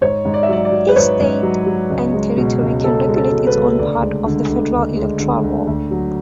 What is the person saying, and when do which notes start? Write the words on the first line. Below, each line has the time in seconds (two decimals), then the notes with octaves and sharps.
Each state and territory can regulate its own part of the federal electoral roll.
0.01 G#2 C#5
0.25 G#2
0.34 D5
0.43 E5
0.49 F#3 D5
0.65 D5
0.72 F#3
0.88 B4
0.96 G#2 C#5
1.20 G#2
1.43 F#3
1.67 F#3
1.90 C#2
2.14 G#3
2.37 B2
2.61 C#2
2.84 C#2 A4
3.08 G#3
3.16 A4
3.32 B2
3.47 B4
3.55 C#2
3.78 D2 D5
4.02 G#3
4.26 D3
4.49 D2
4.73 D2
4.96 G#3
5.20 D3
5.43 D2
5.67 D2
5.91 F#3